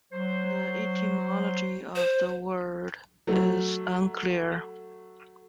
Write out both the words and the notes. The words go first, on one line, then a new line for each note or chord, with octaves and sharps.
The etymology of the word is unclear.
F#3 C5
C5
F#3 A3